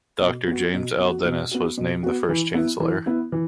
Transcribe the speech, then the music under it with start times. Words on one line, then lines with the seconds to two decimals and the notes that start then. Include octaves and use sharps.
Doctor James L. Dennis was named the first chancellor.
0.22 B2
0.48 B3 F#4
0.74 B2
1.00 B3 F#4
1.25 B2
1.51 B3 F#4
1.78 B2
2.03 B3 F#4
2.29 E3
2.54 B3 E4
2.80 E3
3.06 B3 E4
3.32 E3